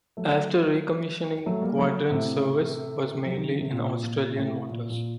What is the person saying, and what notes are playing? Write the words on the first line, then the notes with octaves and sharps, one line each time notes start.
After recommissioning, "Quadrant"s service was mainly in Australian waters.
F#3 A3
F#3 A3
G3 A#3
F#3 A3
A2 C3
F#3
D#3
D3
C3
A#2
A#2
A2 C3
A#2
A#2